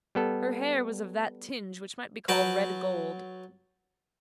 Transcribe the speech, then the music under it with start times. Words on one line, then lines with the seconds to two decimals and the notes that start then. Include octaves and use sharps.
Her hair was of that tinge which might be called red gold.
0.15 G3 B3 A4
2.28 F#3 B4 G5 A5